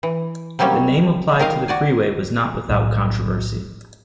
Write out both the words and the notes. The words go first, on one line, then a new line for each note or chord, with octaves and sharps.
The name applied to the freeway was not without controversy.
E3
C3 F#3 G3 A#3 C#4
D#3 A#4 D#5 F5
F#4 D5 G#5
B1 A2 F#3